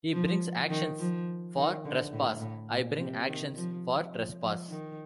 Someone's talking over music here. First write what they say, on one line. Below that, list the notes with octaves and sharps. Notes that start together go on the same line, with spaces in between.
He brings actions for trespass; I bring actions for trespass.
F3
D#3
F3
D#3
D3
A2
A2
A#2
C3
D#3
F3
F3
F3
D#3